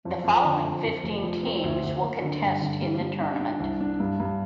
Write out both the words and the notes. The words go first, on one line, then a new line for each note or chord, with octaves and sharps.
The following fifteen teams will contest in the tournament.
F2
F2
D3
F2
F2
F1
F3
C4
D2
D2
A#3
D3
G2
D3
G3
G3
D4
D4
C2
D4
G2
G2